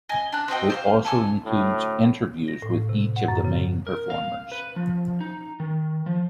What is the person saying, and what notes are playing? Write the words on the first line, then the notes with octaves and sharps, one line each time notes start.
It also includes interviews with each of the main performers.
D#5 G#5
D4 F#6
C4 F#4 D#5 G5
C5 C#5 F5
A4 G#5 C#6 D#6
D2 A2
A#6
A2
C3
F#5
F#2
C#3
A#4
F5
B4
F3
D#4
D#3
F3